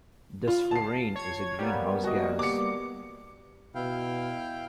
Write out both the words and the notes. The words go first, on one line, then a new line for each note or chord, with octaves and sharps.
Desflurane is a greenhouse gas.
F4
A5 C7
C#5 G#6
G3 A#3 B3
F#4 D#5
D6 C#7
B2 E4 F5 G5